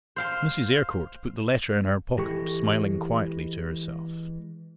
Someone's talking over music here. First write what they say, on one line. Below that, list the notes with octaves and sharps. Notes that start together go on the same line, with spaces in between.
Mrs. Eyrecourt put the letter in her pocket smiling quietly to herself.
C5 F5 C6
E3 G#3 G4 A4 C#6